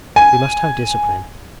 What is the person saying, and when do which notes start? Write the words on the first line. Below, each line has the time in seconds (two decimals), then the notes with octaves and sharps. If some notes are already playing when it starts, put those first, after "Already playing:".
We must have discipline.
0.16 G#5